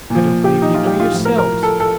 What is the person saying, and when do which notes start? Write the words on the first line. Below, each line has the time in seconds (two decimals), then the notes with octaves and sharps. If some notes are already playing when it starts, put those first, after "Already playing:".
I don't believe you know yourselves.
0.10 A#2 F3
0.44 G4
0.62 D#4
0.75 F4
0.86 G4
1.00 F4
1.12 A2 F3
1.25 A#4
1.38 A#4
1.63 A4
1.80 A4